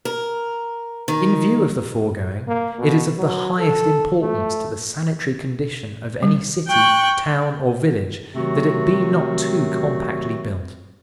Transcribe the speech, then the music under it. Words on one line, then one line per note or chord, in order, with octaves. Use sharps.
In view of the foregoing, it is of the highest importance to the sanitary condition of any city, town, or village that it be not too compactly built.
A#4
D#3
A#3
B2
F#3
A4
A3
G3
G5 C#6 F#6
C3 D#3 F#3 A3 C4 F#4